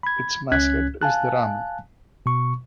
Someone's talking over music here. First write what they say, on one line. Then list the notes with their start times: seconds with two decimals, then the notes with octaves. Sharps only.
Its mascot is the ram.
0.03 B5 G#6
0.52 C#2 C#4 F#6 G#6 B6
1.01 F5 G#5 A5 F#6
2.26 B2 C#6